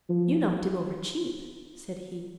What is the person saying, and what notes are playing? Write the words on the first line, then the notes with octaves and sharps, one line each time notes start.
"You knocked him over cheap," said he.
F3